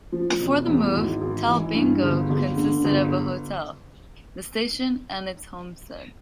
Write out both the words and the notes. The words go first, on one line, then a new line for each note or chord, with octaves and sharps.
Before the move, Talbingo consisted of a hotel, the station and its homestead.
F3
E1
E2
G#1
G#1
E3
G2
G1
G1
D3
G1